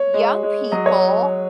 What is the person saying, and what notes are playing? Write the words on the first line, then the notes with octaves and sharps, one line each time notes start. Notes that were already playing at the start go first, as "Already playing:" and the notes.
young people
Already playing: C#5
G#3
G#3
F#3 D#5
C#5